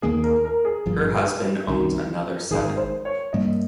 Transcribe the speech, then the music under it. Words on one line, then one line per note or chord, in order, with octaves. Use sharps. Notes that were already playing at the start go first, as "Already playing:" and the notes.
Her husband owns another seven.
D#2 D#3 A#3 G#4
A#4
A#4
G#4
G1 G2 F3
C2 C3 D#3 G3
G#1 G#2 D#3 G#4
C5
C#5
G2 G3 A#3 D#5